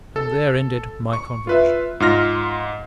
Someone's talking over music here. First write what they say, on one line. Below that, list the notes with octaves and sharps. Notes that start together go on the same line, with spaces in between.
And there ended my conversion.
A4
C#6
F4 B4 E5
G#2 F4 F6 A#6